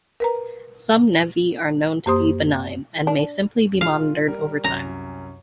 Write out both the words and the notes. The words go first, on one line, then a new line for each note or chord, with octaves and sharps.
Some nevi are known to be benign, and may simply be monitored over time.
A#4 B4 A#5
F#2 A#3 G4 C5 C6 D#6
D4
F4 G#4 F5
G3 A#4
C2 F#2 C#4 A#5